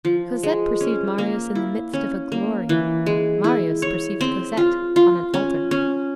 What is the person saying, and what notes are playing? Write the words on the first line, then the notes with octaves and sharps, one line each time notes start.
Cosette perceived Marius in the midst of a glory; Marius perceived Cosette on an altar.
F3
G#3
C#4
A#3
E4
C#4
A#3
E3
G#3
E4
C#5
C4
F4
F4
C#4
C#4